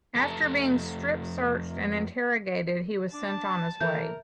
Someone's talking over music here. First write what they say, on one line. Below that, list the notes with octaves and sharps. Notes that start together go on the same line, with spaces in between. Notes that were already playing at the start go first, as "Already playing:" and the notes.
After being strip-searched and interrogated he was sent on his way.
F2 A3 A4 A5 A#5
D4 A5
E3 E4 A4 A#4 E5 G6